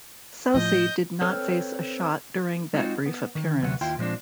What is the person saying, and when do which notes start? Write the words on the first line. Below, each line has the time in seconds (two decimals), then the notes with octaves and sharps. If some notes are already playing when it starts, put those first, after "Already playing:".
Soucy did not face a shot during that brief appearance.
0.54 A2 F3 D#5 G6
1.22 C4 A4 B4 C#5 F6
2.74 G#3 C4 D#4 F4 F#4
3.06 B3
3.35 D#3
3.62 D2 C3 F#3 B4 F#5
3.81 D#2 E4 F4 G5 C6
3.98 A#2 F3 G#3 C4 D4